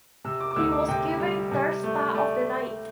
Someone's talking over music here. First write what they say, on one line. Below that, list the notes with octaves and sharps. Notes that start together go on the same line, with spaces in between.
He was given third star of the night.
C3 E6
D6
D6
D2 E6
D6
C3 G5
G3
C3
A3
A3 D5